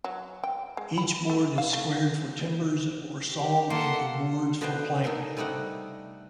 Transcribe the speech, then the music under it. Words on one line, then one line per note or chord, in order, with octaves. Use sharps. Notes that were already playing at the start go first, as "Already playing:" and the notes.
Each board is squared for timbers or sawn into boards for planking.
F#3
G5
G#3
B5
A3
F5
A3
G4
A#3 A4 F#5 C6
B2 D3 B3 C5 F5 G5
D#4 A4 A#4 G#5
C3 G3 A3 D#4 F#5